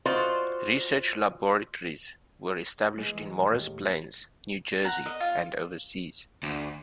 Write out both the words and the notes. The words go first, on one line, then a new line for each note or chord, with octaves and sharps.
Research laboratories were established in Morris Plains, New Jersey, and overseas.
F4 F#4 C5 D5 D#5
E3 G#3
D#2 A2
F#5 A#5
D#5
F4
D2